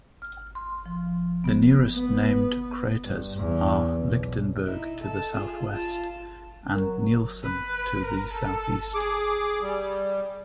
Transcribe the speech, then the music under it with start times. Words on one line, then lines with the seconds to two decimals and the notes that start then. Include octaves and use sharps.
The nearest named craters are Lichtenberg to the southwest and Nielsen to the southeast.
0.22 F6
0.55 C6
0.86 F3
1.44 B3
1.94 B3
3.04 G2
3.36 E2
4.01 B1
4.66 D#4 E4
5.03 A4 A5
5.36 F4 G#4
5.72 F4 A5
6.74 F#3 A#4
7.43 B4
8.04 A#4
8.33 A4
8.94 G#4 D6
9.61 G3